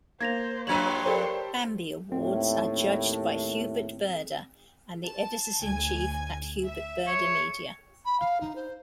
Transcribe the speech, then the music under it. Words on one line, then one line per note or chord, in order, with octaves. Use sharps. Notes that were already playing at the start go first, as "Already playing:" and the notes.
Bambi awards are judged by Hubert Burda and the editors-in-chief at Hubert Burda Media.
A#3 C5 G#6 A#6 F7
G2 F3 D4 B4 C#5 C6 G#6 F#7
G4 A4 A#4 C5 D5 B5
D#2 A2 C4
A5
D2 G#5 G#6
E5
C#5
B5
F5
D#4
C5